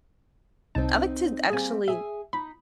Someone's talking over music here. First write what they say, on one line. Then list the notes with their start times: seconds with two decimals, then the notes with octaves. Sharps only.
I like to actually
0.75 C2 C4 D#4 A5
1.50 G3 A#3 C4 G#4 G#5
1.88 G#4 E5 G#5
2.33 D#4 B5